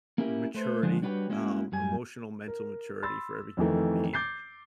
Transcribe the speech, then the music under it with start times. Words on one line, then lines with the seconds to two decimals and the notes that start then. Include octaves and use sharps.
maturity, um, emotional mental maturity for every human being,
0.18 A#3 C#4 E4 G4 A#4
0.54 A3 B4 C5
0.83 D3 F3 G#3 D4
1.02 G3 D4 F#4 B4 C#5 G5
1.30 G#3 A#3 C#4 E4 F#4
1.72 F#2 G3 G#5
2.48 A#4
3.03 B5 C6 E6 A6
3.57 F2 D#3 E3 A3
4.14 D6 G6 A6 C7